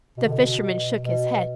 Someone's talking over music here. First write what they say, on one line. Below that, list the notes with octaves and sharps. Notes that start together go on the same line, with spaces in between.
The fisherman shook his head.
B2
D3
B2
B2